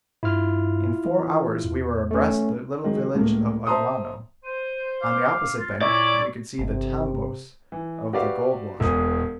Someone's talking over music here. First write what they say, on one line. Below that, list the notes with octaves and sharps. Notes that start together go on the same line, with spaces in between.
In four hours we were abreast the little village of Aguano; on the opposite bank we could see the tambos of the gold washers.
G2 E4 F4 F6
E3
E2
A3 C#4
D#3 F#3 G#3
C#2 A2 A#3
C5 E5 A5 A#5 C6 D#6
C5 D#7
F5 D6
F4 A6
A#2 E4 C#5 D5 C#6
G1 C3
E3
F#4 G4 B4 D5 E5 F5
E1 E2 D#6